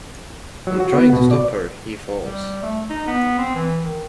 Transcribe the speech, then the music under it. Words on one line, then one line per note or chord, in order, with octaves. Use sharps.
In trying to stop her he falls.
F#3
F#4
B3
B2
D5
G3
A3
D#4
B3
C4
E3
D#3